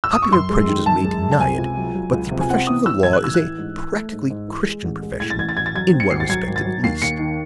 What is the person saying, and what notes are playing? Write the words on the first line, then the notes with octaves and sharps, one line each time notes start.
Popular prejudice may deny it, but the profession of the law is a practically Christian profession in one respect at least.
E6
D#6
C#6
F#2 C6
G#3
D#3
F#2 A5
G#3
F#2
A5
C3 G#5
C#2
F#3
F#3
C#2
C3
G#5
C4 F#5
E3 D#6
E3 E6
A1 G#6
F#6
A1 E6
F#6
E3
G#2
E3
A3
G#2
G#2
E3
G#3
A1
G#3
A2 G#6
A6
A1 G#6
A6
A1 G#6
A6
F#3 G#6
C4
C#7
G#1 C7
A6
F#3 G#6
G#1
A6
F#3
D#2 C7
D#2 C#7
D#3